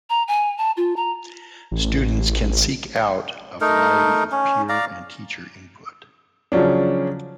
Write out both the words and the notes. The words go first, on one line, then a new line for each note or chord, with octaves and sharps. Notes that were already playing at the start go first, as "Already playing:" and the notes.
Students can seek out a variety of peer and teacher input.
A#5
G#5
A5
F4
A#5
A1
A3 D#4 A#4
C#4
D5 F5 A#5
C#3 F3 F#3 C#4 D4